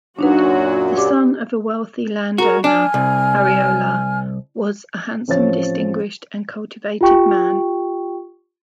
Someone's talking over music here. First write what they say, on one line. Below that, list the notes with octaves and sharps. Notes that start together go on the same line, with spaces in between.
The son of a wealthy landowner, Arriola was a handsome, distinguished and cultivated man.
F#2 A#2 F#3 D4 D#4 F#4 B4
G4 D5 D6
F#4 G#4 A#4 A#5
D4 G#5 F6
C2
A1 F3 C4 C#5 A6
F4 G4 G5 C#6